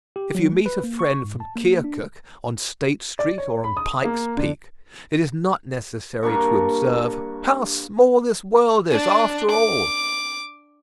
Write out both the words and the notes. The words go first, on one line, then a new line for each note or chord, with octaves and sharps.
If you meet a friend from Keokuk on State Street or on Pike's Peak, it is not necessary to observe: "How small this world is after all!"
G4
F#3
A3
B4
A#3
C#6
G#2
A5
A#3
D4
D5
C#5
B5
D#6
A#3
D3
G2 A#3 D4 C#6
D4
D6